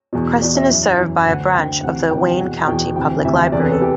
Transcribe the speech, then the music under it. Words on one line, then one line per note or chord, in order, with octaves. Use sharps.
Creston is served by a branch of the Wayne County Public Library.
E2 B2
E2 B2 D5
E5
F#2 E3
F#2 E3
D2 D3 F#5
D2 D3 G5
D2 C3 E3 F#5
D2 C3 E3 G5
G5
E2 B2 F#5
E2 B2 G5
D2 C3 E3 G5
D2 C3 E3 E5
E2 C3 E3 D5
B4
A4
E3 G4